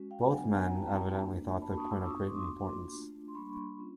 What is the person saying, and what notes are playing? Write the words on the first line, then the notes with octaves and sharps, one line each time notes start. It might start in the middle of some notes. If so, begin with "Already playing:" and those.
Both men evidently thought the point of great importance.
Already playing: G#3 C#4 F#4
F5 G5
F#3 B3 D4 F#5 G#5
F#5 G#5
A#5
G3 C4 E4 G5 A5
A#3 D4 F4
A#3 D4 F#4 A5 B5
C#6 D#6
D6 E6
B3 D4 F4 C#6 D#6
C#6 D#6
C6 D6
C6 D6
A#3 D4 F#4
A3 D4 F4
C6
G3 A#3 D4 B5 C#6
C#4 F4